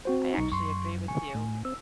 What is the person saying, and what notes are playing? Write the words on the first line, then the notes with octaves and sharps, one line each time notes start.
I actually agree with you.
C4 F#4 C5
B1 D#4 C#6
F#2 C6 C#6
G#5 C#6
A2
C4 E6